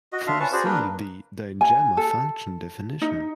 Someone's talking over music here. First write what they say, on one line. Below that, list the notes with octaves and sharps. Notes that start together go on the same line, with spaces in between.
For see the digamma function definition.
F#4 D#5
D4 F4 E5 F5
C#4 B4 A5 C#6
F#4 G#4 C5 D5
A#3 D4 A#4 B4
G#5
A4
D#4